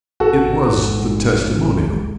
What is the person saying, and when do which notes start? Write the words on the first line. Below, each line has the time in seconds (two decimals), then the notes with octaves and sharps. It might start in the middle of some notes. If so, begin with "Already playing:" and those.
It was the testimonial.
0.20 A1 F#4 A4
0.47 A1
0.73 G#2
1.00 G#2
1.26 A1
1.53 A1
1.79 G#3